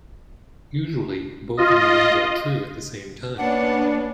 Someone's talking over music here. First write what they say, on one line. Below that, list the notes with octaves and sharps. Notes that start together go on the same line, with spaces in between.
Usually both meanings are true at the same time.
F4 D#5
A#3 B3 C#4 D4 F#5